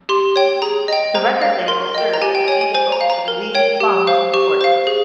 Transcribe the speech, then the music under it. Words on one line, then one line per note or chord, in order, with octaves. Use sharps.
The record label serves as a vehicle to release Plumb's recordings.
G4 C6
C#5 G5
G#4 A#5
D#5 G5
C5 A#5
F5
A#4 C6
D#5 G5
A#5
G4 G#5
G5
C#5 G5 G#5
G#5
C5 G#5
A#5
F5
A#5
A#4
C#5 G5
G4
C5 F5
G4 C#6
C5 F5
G#4